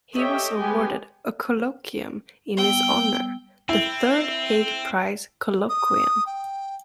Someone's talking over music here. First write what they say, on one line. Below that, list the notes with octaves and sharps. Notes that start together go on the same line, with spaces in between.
He was awarded a colloquium in his honour: The Third Hague Prize Colloquium.
G4 A4 C#5 D#5 E5 G5
G#3 B3 G4 G5 G#5
G3 B3 G5 E6
C4 E4
D#6
G5